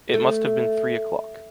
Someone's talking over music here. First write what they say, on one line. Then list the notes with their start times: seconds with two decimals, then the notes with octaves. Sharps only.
It must have been three o’clock.
0.14 A3